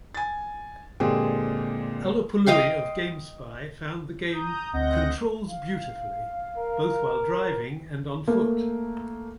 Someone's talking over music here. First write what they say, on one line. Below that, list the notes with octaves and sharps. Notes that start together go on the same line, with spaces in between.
Alupului of GameSpy found the game "controls beautifully", both while driving and on-foot.
G#5 A6
A#2 D3 G#3 C4 G4 G#4
D#5 F5 G5 C6
A#5 D#6 G6
D2 C4 D#5 F#5 G6 A#6
F5
A#4
A3 A#3